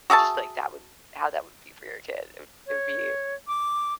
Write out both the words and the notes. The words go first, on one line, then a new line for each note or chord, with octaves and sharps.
just, like, that would how that would be for your kid. It would it would be
F#4 G#4 E5 A5
C#5
D6